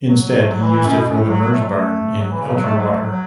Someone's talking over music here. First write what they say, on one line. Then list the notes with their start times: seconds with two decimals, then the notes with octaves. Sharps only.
Instead he used it for the "Merzbarn" in Elterwater.
0.09 F#3
0.23 F#3
0.39 A3
0.49 F#3
0.62 E3
0.72 E3
0.84 F#2
0.96 B2
1.06 F#2
1.17 A2
1.29 F#3
1.40 F#3
1.51 A3
1.63 F#3
1.74 A3
2.20 F#3
2.31 E3
2.42 C#3
2.54 F#3
2.65 A3
2.77 F#3
2.88 A3
3.00 F#3
3.10 F#3